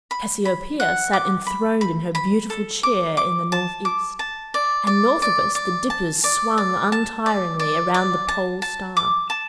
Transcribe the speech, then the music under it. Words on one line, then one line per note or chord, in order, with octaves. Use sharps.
Cassiopeia sat enthroned in her beautiful chair in the north-east; and north of us the Dippers swung untiringly around the Pole Star.
B5
B5
F#5
D6
B5
B5
B5
A4
D6
D6
A5
D6
A5
D5
D5
D5
D5
A5
D5
D5
A5
D5
D5
D5
A5
A5
D6
A5